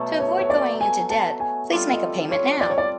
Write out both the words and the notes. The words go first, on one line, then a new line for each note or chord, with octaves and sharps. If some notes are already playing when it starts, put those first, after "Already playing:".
To avoid going into debt, please make a payment now.
Already playing: B2 F#3 A3
C#5
C#5
D5
G#5
A5
G#5
G3 C4 F4 A4
D#5
C#5
D5
C#5
D5